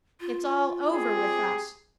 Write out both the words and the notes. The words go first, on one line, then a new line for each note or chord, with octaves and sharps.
It's all over with us.
F4
C4 G4 G#4